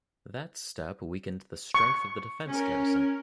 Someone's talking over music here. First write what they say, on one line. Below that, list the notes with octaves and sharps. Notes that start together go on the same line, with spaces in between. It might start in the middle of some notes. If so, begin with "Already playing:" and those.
That step weakened the strength of the defence garrison.
C#6
C#4 A#4